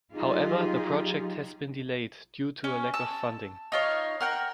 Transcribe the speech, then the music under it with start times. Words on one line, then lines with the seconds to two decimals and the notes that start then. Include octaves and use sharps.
However, the project has been delayed due to a lack of funding.
0.13 F#3 D#4 F4 G4 G#4
2.64 C#4
2.94 A5 E6
3.72 D#4 F4 C#5
4.20 A#4 F#5 G5